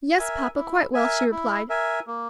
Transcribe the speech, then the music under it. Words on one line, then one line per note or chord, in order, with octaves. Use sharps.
"Yes, papa, quite well," she replied.
A#4 E5 G#5
E4
A#4 E5 G#5
E4
A#4 E5 G#5
A#3